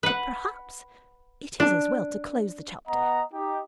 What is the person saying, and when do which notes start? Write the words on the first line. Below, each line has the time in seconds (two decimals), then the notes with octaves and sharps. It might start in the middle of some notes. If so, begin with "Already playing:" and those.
But perhaps it is as well to close the chapter.
0.03 B4 F#5
1.60 D4
2.88 B3 D#5 F#5 A#5
3.33 D#4 G4